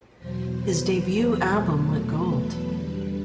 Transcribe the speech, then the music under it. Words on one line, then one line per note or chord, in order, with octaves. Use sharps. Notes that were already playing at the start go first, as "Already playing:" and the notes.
His debut album went gold.
E2 B2 F#3 C5
B4
E2 B2 F#3 A3 A4
A4
B4
A4
E2 D3 G3 B4